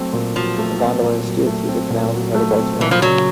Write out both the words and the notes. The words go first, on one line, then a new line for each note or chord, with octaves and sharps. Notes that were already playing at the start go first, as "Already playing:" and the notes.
A gondola is steered through the canals with other boats around.
Already playing: F#3 A3 C4
A#2
F3 F#3
A3
C4
A#2
F#3
A3
C4
A#2
F#3
A3
C4
A#2 E3
F3
C#3 F#3